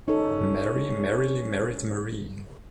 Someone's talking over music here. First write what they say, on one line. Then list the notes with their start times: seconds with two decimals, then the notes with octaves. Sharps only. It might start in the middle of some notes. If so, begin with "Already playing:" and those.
Mary merrily married Marie.
0.08 C#4 D#4 A4